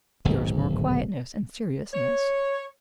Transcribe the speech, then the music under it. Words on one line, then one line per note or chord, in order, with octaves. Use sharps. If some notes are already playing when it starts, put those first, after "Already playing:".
There is more quietness and seriousness.
D1 B1 G#2 D3 D#3
C#5